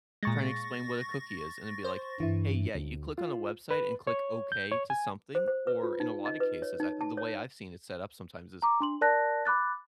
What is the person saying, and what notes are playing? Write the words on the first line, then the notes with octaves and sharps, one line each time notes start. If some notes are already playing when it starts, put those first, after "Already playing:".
trying to explain what a cookie is and then be like, "Hey, yeah, you click on a website and click 'okay' to something," or, in a lot of cases, uh, the way I've seen it set up sometimes is,
A#2 G#3 C#6 A6 A#6
C5
G2 E3 E4
D2
F4
B4
C#5
G6
C#5
G#5
C5
C5
B4
F4
D#4
D#5
B4
C#5
D#4
A5
C#5
A#5 D6
D4 C6 F#7
A#4 D5 A5 F#6 A#6
B5 D6 F#6 A6